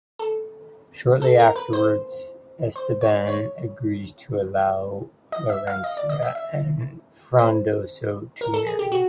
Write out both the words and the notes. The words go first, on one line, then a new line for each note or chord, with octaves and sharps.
Shortly afterwards, Esteban agrees to allow Laurencia and Frondoso to marry.
A4
A4
A#4
B4
C5
C5
C#5
C#5
D#5
E5
F5
D#5
D5
D#5
E5
E5
C5
A#4
A4
G#4
G4
F#4